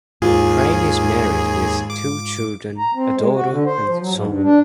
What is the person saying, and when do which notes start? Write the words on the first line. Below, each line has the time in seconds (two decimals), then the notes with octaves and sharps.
Crane is married with two children, a daughter and son.
0.22 D#2 G#2 F4 G#4
1.90 D6
2.77 A#5
2.95 C4
3.17 G#3
3.35 F#4
3.51 D3
3.66 C5
3.87 F3
4.01 F#3
4.14 G#2
4.27 G2
4.43 D4